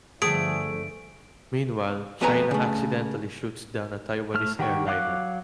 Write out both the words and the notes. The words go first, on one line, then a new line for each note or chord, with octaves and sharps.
Meanwhile, China "accidentally" shoots down a Taiwanese airliner.
G1 D3 F3 A3 G#4 D7
F2 A3 B3 B4 G#5 A#5
C#3 A3
A3 F6
D#3 G4 F#5 G5 C#6
F#3 F5 F#5 D6 F#6